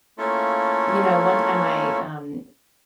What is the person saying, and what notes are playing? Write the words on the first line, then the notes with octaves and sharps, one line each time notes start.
You know, one time I, um,
A3 A#3 C#4 E4 F4 A4